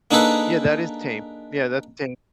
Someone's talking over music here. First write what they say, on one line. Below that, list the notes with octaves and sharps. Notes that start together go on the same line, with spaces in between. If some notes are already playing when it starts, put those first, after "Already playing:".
Yeah, that is tame. Yeah, that's tame.
A#3 D4 D#4 G#4 A4 B4